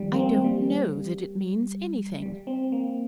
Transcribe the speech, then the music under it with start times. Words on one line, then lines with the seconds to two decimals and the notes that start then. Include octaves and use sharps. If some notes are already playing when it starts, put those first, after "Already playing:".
'I don't know that it means anything.
Already playing: D#3 F3 G3
0.14 A#3
0.19 C4
0.44 G3
2.22 G3
2.47 C4
2.72 A#3